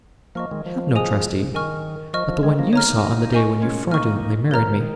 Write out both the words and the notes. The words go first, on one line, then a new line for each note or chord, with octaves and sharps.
I have no trustee, but the one you saw on the day when you fraudulently married me.
F3 A#3 D#5 C#6 F6
D#3 G#3
F3
G#4 D#5 G#5 D#6
D#3 A#4 D#5 G#5 C#6 F6
F3 D#5 C#6 F6
F3
D#3 G#3
F3 A#3
A#3 D#4 C#5 A#5 F6
A#3 D#4
A#4 D#5 G#5 C#6
G#3 C#4
A#3 D#4 D#5 C#6 F6
F3 A#3 A#4 C#5 A#5 F6
F3
D#3